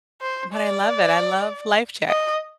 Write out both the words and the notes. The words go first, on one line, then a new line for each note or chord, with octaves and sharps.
but I love it. I love life check.
C5
D5
D#5